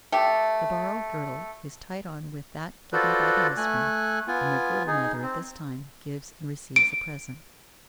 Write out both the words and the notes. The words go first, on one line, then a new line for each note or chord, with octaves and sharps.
The borrowed girdle is tied on with that given by the husband, and the girdle-mother at this time gives and receives a present.
A3 G4
F4 F#4 A4 B4 C5 D5
A3 G#5 F#6
B3 F4 G#5
D#4 G#4
C4
D7